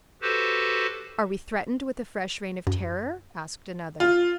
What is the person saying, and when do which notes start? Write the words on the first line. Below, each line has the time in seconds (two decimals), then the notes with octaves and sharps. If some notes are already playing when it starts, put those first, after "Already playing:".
"Are we threatened with a fresh Reign of Terror?" asked another.
0.22 F#4 G4 A4 B4 C5
2.67 F#2
4.00 F4